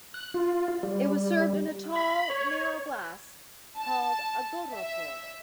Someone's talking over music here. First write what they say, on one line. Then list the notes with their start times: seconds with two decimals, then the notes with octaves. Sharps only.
It was served in a tall, narrow glass called a "Goderulffe".
0.14 F#6
0.34 F4
0.83 G3
1.95 B5
2.30 C#5
3.78 A5
4.73 E5